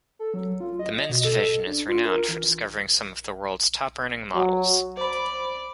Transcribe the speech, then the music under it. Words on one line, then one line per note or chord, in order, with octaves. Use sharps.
The men's division is renowned for discovering some of the world's top earning models.
A4
F#3
F4
D#5
B2
A4
D4
F4
A#4
E3
F#3
C5 D5 B5